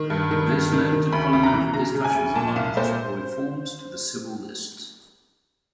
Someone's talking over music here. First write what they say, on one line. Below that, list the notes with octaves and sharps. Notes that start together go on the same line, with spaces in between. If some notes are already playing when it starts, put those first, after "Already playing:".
This led to Parliamentary discussions about possible reforms to the civil list.
Already playing: D#3
G2
D#3
G2
D#3
D#3
D2 B5
D2
A#5
E3
C#3 A#5
C#3
G#5
D2
A#2 A5
C2 F5
A#2 C5